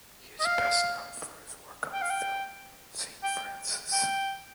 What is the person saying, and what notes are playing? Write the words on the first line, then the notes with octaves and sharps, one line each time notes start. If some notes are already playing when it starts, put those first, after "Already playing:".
He is best known for his work on the film "Saint Frances".
D#5
F5
G5
F5
G5
G5
G5